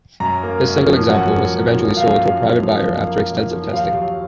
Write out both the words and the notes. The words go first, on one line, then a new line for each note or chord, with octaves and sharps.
This single example was eventually sold to a private buyer after extensive testing.
F#2 A#5
A#3
F#2
F3
F#2 F#5
A#3
F#2
F3
F#2 F5
A#3
F#2
F3
F#2
A#3
F#2
F3
D#2 F5
F#3